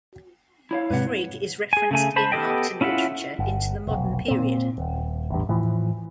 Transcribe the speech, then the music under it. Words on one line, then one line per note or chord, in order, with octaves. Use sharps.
Frigg is referenced in art and literature into the modern period.
E4 C#5 F5
G#2 C3 B4 C#5 F#5
G#4 G#5
C#3 A3 G#5
C5 A5 B5
B3 G4 A4 D#5 G5
C#4 E4 F4 E5 F#5
G1
F1 B1
A#2 C4
D#1
A1 E2 G2
A2 E3 F3